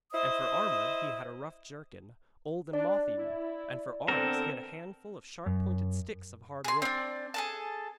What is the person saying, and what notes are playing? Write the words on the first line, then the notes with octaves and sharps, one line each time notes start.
And for armour he had a rough jerkin, old and moth-eaten, and for arms he had a handful of sharp-pointed sticks of hard wood.
E4 C5 D#5 D#6
D4 D5
E4
D3 B3 C4 A4 A#4
F#2
G#4 C6
C4 D4
G#4 A4 A5